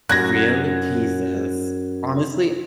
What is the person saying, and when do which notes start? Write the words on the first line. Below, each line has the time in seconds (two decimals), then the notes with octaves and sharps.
Really? Jesus. Honestly
0.09 F#2 F#6 G#6 A#6